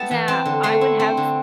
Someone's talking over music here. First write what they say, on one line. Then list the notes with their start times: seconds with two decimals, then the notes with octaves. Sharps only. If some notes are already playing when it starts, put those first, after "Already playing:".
that I would have
Already playing: B3 E4 G5 A5
0.11 E3
0.28 C4 A5
0.46 D3
0.63 A3 C6
0.81 E4
1.00 C4
1.17 D3